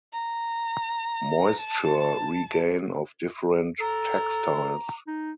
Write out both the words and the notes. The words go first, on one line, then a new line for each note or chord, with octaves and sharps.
Moisture regain of different textiles.
A#5
A5
A4 A#5
D#4